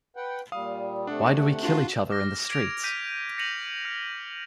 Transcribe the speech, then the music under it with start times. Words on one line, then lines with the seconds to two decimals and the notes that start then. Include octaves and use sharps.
Why do we kill each other in the streets?
0.16 B4 F#5 G5
0.52 A#2 G3 F5 D#6
1.07 C3 A3 D4 F#5
1.63 D4 F4 F#4 F5
2.10 D6 F6 A#6
2.50 G#6 D7 F7
2.83 F6 G6 B6 D#7
3.38 A#6 C#7 D#7 F7 F#7
3.85 F6 C#7